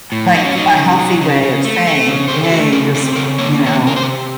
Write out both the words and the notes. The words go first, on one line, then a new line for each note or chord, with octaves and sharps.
like, a healthy way of saying, "Hey. Just" You know?
A2
F#3 D#4
C#4
F#3 D#4
C#3
F#3
C#3
C#3
A3
A3
C#3
C#3 C5
A#4
A4
A3 F#4
C#3 A#4
C4 A4
C#3 A#4
A#3 C#5
D#3
C#5
C3
A#4
C5
C3